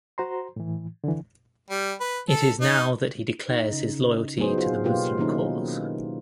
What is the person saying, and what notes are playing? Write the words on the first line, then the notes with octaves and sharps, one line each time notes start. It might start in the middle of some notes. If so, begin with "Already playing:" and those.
It is now that he declares his loyalty to the Muslim cause.
F#4 C5 A#5 C6
A2 E3
D3 E3
G3
B4
A4
D#4
D#4
C#3
F#3 B3 D#4 G#4 C5
F4 G#4 C5
B2 A#3 B3 F4 G4 B4
D#3 F#3 A#3 C#4 D#4 E4